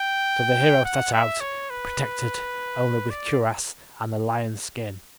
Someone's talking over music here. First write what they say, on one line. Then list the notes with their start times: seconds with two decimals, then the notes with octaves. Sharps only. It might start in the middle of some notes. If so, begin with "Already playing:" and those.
So the hero set out, protected only with cuirass and the lion skin.
Already playing: G5
0.85 F#5
1.13 E5
1.41 C#5
1.70 B4
3.10 D5